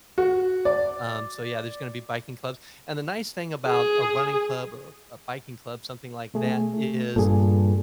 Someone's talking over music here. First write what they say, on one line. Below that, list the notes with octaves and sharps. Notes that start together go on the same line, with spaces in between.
um, so, yeah, there's gonna be biking clubs, and the nice thing about a running club or a biking club, something like that, is
F#4
D5
G#4
B2 A3 G#4
A3
G2 A#2 G#4 A4